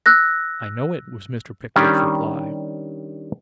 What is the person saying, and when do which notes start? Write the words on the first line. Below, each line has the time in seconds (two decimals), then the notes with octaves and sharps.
'I know it,' was Mr. Pickwick's reply.
0.06 E6 F#6 A#6
1.76 D#3 G3 C#4 D4 G4